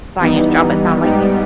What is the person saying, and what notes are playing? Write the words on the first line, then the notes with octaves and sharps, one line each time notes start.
finance job, it sounded like,
E3 G3 B3 D#4
G#2 G3 B3 D#4 G4